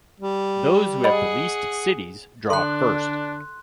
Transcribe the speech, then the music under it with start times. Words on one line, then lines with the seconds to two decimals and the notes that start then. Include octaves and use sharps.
Those who have the least cities draw first.
0.20 G3
1.04 G#4 D#5 F#5 B5
2.50 D3 D4 A4 C6 F#6